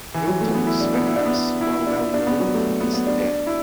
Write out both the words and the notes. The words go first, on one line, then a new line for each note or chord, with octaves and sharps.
Hylton is perhaps more well known for his death.
E3
F#3
A3
B3
E4
D4
B3
E4
D4
B3
D4
E4
D4
D4
B3
F#3
A3
B3
B3
D4
D4
E4